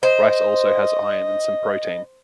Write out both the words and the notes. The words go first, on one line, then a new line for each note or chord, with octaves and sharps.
Rice also has iron and some protein.
C5 D#5